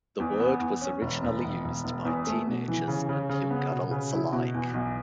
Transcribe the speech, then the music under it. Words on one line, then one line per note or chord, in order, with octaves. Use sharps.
The word was originally used by teenagers and young adults alike.
E2
B3
E2
C#4
E1
E1
E1
E1
E1
E2
A3
B2
E3
C#3
C#3
C#3
B3
B2
C#3
E4
B2
E2
B1